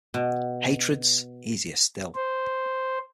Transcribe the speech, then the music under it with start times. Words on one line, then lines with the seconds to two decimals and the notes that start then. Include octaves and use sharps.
Hatreds, easier still.
0.14 B2
2.15 C5